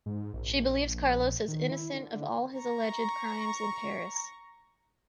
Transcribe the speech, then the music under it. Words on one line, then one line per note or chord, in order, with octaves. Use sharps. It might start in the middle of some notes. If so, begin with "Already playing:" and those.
She believes Carlos is innocent of all his alleged crimes in Paris.
G#2
A#1
D#3
E4
D3
A#5 C#6